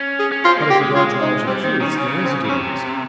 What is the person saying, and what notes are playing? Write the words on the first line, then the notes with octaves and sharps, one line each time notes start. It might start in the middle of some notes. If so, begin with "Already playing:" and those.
But as regards knowledge of truths, there is a dualism.
Already playing: C#4
G#4
C#4
C4 F4
G#3
A#3
G4
G#3
G#3 F4
D#4
G3 C4
D#3 C4
D#3 C#4
C#3 C#4
C4
C#3
C3 C#4